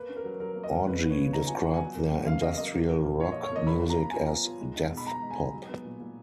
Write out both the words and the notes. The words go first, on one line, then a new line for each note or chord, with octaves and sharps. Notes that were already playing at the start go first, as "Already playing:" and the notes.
Orgy described their industrial rock music as "death pop".
Already playing: A#3 B4
C#4
A#4
F#3
F#3 A#4
A#3
D#5
C#4
F3 B4
B3
C#5
C#3
D#4 A#5
F3 G#5
B3 F#5
G#5
F#3
A#3
C#3
C#4 F5
F#3 D#5
A#3 D#5
F3
A#3
A#2
F4 C#5
F3 D#5
C#5
A#3 D#5
B3 B5
F4
A#5
F3
G#5
F3 A#5
B3
F4
G#3
D#4
B2
B5
B2 A#5
G#3
G#5
D#4
F#3
B3
A#2
A#2